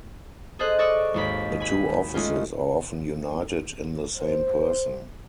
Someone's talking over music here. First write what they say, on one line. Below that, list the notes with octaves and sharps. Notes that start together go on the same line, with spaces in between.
The two offices are often united in the same person.
G#4 A4 C5 D#5 F#6
D5 D#5 C#6 E6 F#6
G#1 D#2 B5
G#5 B5
G#3 A3 C#4 F4
C5